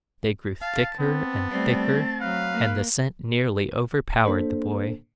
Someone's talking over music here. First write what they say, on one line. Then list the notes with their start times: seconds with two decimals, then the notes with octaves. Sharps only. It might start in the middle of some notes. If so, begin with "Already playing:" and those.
They grew thicker and thicker and the scent nearly overpowered the boy.
0.62 F5 A5
1.00 B3 C4 A5
1.51 G3 A3 C4
2.20 F#3 B4 F5
2.53 A#3
4.25 A#3 D4 A4 C5